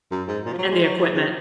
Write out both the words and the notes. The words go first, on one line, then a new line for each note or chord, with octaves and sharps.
And the equipment.
F#2
G#2
A#2
F3
F#3
G#3
F#3
F3
C#3